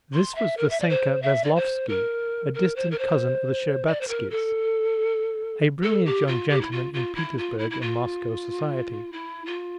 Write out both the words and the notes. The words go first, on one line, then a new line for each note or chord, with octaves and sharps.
This was Vassenka Veslovsky, a distant cousin of the Shtcherbatskys, a brilliant young gentleman in Petersburg and Moscow society.
C6
E5
A#4
E5
D5
C5
E5
D5
C5
A#4
A#4
C5
A#4
C5
D5
C5
A#4
A4
A4
G4
F4
G4
E4
F4
F4
E4
F4
E4
E4
F4
E4
F4